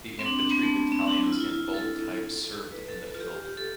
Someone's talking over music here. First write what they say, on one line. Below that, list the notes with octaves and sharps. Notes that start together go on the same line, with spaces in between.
The infantry battalions in bold type served in the field.
C4
D4
D4
B3
A3
C4
D4
E4
F4
E4
F4
A4
B4
A4
A4
F4
G4
G4
A4